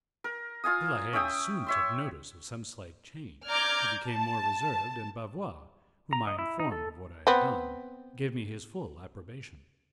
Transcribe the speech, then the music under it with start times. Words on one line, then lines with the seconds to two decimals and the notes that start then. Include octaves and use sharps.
De la Haye soon took notice of some slight change; he became more reserved, and Bavois, whom I informed of what I had done, gave me his full approbation.
0.24 A#4
0.64 F4 F5 G#5 D#6
1.13 C#4 E5 G5 D#6
1.67 C#5 E5 C6
3.50 D5 A#5 D6 F6 G6 G#6
4.09 A5
6.13 A#5
6.27 D#5
6.39 E4
6.60 D#4
6.72 A4
7.27 B3 C4